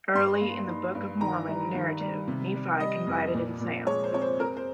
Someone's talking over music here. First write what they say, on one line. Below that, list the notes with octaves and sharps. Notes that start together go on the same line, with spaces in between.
Early in the Book of Mormon narrative, Nephi confided in Sam.
G2 C6
A#3
D#4
G2
D#3 A#5
G3
D#3
G3
C3
G3
G3 D#5
F2
A#2
A#2
G#3 C#5
C5
C4 C#5
C5
C4 A#4
C5